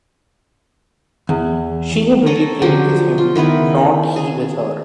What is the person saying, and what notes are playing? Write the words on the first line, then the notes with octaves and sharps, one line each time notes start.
She had really played with him, not he with her.
E2
A4 C#5 A#5
D3 F3 F#3 G4
F4
D#3 B3 E4 B4
G#4